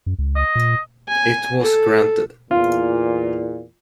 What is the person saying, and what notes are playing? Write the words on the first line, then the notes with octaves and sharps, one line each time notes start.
It was granted.
F#2
C#2
D#5
A#2
G#5
A4
E2 A#2 F4